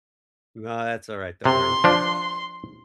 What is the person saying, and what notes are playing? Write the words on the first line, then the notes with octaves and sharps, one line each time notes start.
No, that's alright. Don't worry about it.
C3 C6
F3 D4